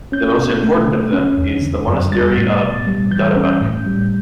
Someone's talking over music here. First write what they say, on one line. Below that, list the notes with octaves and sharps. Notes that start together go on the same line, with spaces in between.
The most important of them is the monastery of Dadivank.
C#4 G6
B2
A3
D3
C#4
E2
D3
F#2
G3 A6
A2
B2
G3
E3 G6
C#4
A2
G3